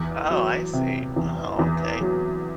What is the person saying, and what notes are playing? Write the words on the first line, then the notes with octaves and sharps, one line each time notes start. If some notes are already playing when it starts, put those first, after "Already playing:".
Oh, I see. Wow, okay.
Already playing: E2
F#3
C3
E2
E2
F#3